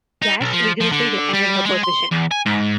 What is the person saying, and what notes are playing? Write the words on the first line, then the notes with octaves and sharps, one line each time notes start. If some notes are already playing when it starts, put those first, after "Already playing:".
Gash vigorously defended her position.
D#4
B1
F3
F3
D3
G3
G#3
C6
E2
G#5
G#2